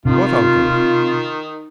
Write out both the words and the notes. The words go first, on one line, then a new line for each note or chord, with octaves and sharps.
"What uncle?"
C3 D#3 F4